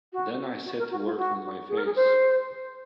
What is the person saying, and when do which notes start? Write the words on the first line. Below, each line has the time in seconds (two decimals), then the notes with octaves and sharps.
Then I set to work on my face.
0.13 F#4
0.65 F#4
0.78 A#4
0.91 F#4
1.05 F4
1.17 F#4
1.69 G#4
1.77 A#4
1.85 G#4
1.96 C5